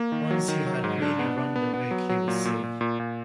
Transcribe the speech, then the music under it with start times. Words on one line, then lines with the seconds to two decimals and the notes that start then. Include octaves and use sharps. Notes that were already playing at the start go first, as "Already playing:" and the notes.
Once he had really run the rig he was safe.
Already playing: A#3
0.12 D#3
0.31 F#3
0.48 D#3
0.66 F#3
0.84 G#2
1.02 D4
1.19 B3
1.38 D4
1.56 B3
1.74 B3
1.91 F#3
2.09 F#3
2.28 A#2
2.45 A#2
2.64 A#2
2.81 A#2
3.00 A#2